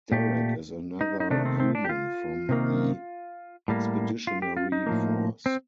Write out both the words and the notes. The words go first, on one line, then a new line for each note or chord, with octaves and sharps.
Derek is another human from the expeditionary force.
A#2 A3 G4
D#4
D#4
C3 D#3 A3 D4
C4
C4
D4
G4
F4
C3 D#3 A#3
A2 G3 A#3
F4
G4
F4
D#4
A2 F3 A#3
C4